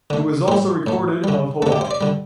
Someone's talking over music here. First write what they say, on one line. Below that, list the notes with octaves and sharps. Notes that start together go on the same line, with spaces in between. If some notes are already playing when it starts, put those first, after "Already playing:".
It was also recorded of Hawaii.
D3 A3
A2 G3 C5
A2 A3
D3 G3
D3 A3 A4
G4
C5
D5
D3 G3